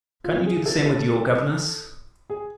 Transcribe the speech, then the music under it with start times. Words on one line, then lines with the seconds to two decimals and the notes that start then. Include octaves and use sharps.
Can't you do the same with your governess?
0.24 F4
0.46 G#4
0.66 A4
0.86 A4
2.30 G#4